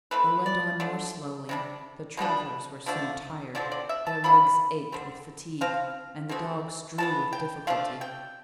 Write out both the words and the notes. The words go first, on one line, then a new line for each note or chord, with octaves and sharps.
They went on more slowly; the travellers were soon tired; their legs ached with fatigue, and the dogs drew with difficulty.
E3 A3 C4 B4
D5
D3 A3 D4
C3 G3 D4
B2 G3 B3 D4
D3 F3 A3 D4
D3 F3 C4 D5
D5
E5
A5
F3 B3 D4 B5
D3 G3 C4
F3 C4 F5
B2 A3 C4
C3 E3 B3 A5
G5
F3 A3 D4 F5
G5